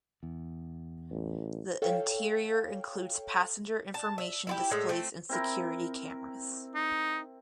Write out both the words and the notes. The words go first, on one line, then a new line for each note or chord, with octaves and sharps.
The interior includes passenger information displays and security cameras.
E2
A1
A4 C#5 F5 G5
A5
E5
E4 F4 G4
A2 G#3 E5
A3 C4
C4 E4 A#4
D#4